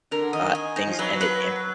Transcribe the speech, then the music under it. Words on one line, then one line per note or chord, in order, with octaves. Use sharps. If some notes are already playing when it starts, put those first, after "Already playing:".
uh, things ended in p
D3 A#4
D#3 D#5
G#5
D#4
F3
F#3 B4
B4